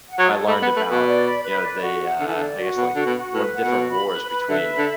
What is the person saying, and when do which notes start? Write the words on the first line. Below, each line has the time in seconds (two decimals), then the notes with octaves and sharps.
I learned about, you know, the, uh I guess, like, when different wars between,
0.10 F#5
0.19 F#3
0.28 A4
0.47 A3 B5
0.62 B3
0.66 B4
0.76 A3
0.86 B2 B4
1.05 D5
1.25 B5
1.43 B4
1.63 D5
1.81 F#4
2.00 F#5
2.20 D3 A4
2.28 E3
2.35 D3 D5
2.58 F#4
2.77 B2 F#5
2.95 D3 F#4
3.06 B2
3.16 F#4
3.34 A2 B4
3.54 F#5
3.63 B2
3.73 F#4
3.92 B5
4.10 B4
4.30 B4
4.49 D3 E5
4.68 B5
4.78 D3